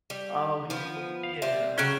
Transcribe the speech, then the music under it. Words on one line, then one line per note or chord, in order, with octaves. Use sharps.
Oh, he's m yeah.
G3
F3 B3
F5
G3 C4 E5
C#3 F#3 C#4 E5 G5 F#6 G7